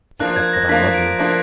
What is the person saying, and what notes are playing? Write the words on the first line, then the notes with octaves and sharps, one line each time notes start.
"Except that I love you."
F3 A#3 D4 F#6
G#6
A#6
F3 A#3 D4 B6
D7
F3 A#3 D4